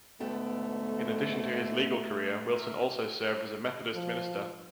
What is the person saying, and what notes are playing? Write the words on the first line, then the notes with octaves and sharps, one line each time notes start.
In addition to his legal career, Wilson also served as a Methodist minister.
G#2 B2 D3 A3 B3 A4 G5
A#4 E5
F3